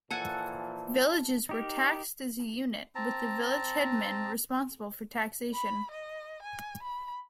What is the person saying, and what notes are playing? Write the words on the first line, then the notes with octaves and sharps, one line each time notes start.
Villages were taxed as a unit, with the village headman responsible for taxation.
A#2 E3 F3 A4 F#5 G#5 A5
D#4 G4 A#4
C4 A5 A#5
B5
D#5
G#5
B5